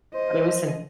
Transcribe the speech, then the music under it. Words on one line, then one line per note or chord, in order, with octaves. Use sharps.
But it was in
C5 D#5